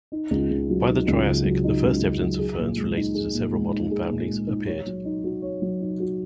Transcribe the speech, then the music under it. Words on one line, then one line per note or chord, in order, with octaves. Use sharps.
By the Triassic, the first evidence of ferns related to several modern families appeared.
D#4
C#2
C#3
F#3
D#4
C#2
C#3
F#3
D#4
C#2
C#3
F#3
G#4
A#2
G#3
D#4
G#4
A#2
G#3
D#4
G#4
A#2
G#3
D#4
C#5
F#3
D#4
F#4
C#5
F#3
D#4
F#4